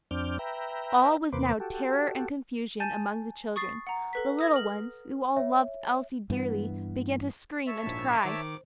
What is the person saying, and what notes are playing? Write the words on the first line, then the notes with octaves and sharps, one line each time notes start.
All was now terror and confusion among the children; the little ones, who all loved Elsie dearly, began to scream and cry.
F2 C4 D4 D6 F6 G6
B4 E5 G5 A#5
E2 C3 A#3 B4 C5 D6
F#4 G4 A4
G#5 A5 G6 A6
C#6 D#6 A6 C7
F#5 A#5
A4 B4 B6
D#6 A#6
F6 F#7
C#5 E5
G2 E3 B3
C#5 E5 A5
A#1 G#2 E4
D#3 C5 D6